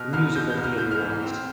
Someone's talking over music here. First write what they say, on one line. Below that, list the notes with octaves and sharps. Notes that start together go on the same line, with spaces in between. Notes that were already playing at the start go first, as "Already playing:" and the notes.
The musical theater ones.
Already playing: B2 F6
C2 F6
B2 G6
G6
C2
F6
A2 G6
F6
E3
C4